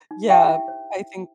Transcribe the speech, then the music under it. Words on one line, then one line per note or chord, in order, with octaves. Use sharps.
yeah, I think
D#4
G4 E5 G5
E4
C5